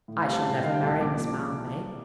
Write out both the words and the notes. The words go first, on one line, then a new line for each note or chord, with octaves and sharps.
"I shall never marry Miss Mildmay."
A2
F5
G3 C4
A5
A2 A5
G5
G3 C4 F5
G5
C2 A5
A#2 F3 C4 D6
C2